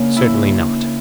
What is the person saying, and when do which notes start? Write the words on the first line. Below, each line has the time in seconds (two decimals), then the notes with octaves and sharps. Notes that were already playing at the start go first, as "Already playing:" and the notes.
Certainly not.
Already playing: C#3 A#3 D4
0.17 E4